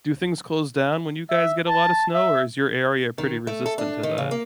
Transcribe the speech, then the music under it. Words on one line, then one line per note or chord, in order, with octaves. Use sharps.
do things close down when you guys get a lotta snow, or is your area pretty resistant to that?
E5
A5
E5
D#3
A3
A4
D4
D#3
C#3
A#3